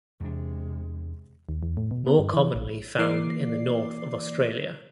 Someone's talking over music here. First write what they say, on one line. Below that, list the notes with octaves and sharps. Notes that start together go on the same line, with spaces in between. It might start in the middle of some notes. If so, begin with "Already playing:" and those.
More commonly found in the north of Australia.
E2 C3 G#3 D4
D#2
E2
A2
B2
B3
G2
E3
A#1
E3 A#3 D5 D6 C7